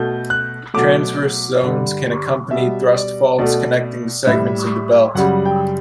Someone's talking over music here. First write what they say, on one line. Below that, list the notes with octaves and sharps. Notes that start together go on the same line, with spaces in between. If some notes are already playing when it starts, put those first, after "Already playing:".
Transverse zones can accompany thrust faults connecting the segments of the belt.
Already playing: B2 A3 G6
F#6
B2 F#3 A3 D6
G2 D3 G3
B2 G3 E5
D5
B2 A3 D5
A2 G3 E5
F#2 C#3 G3 F#5
G5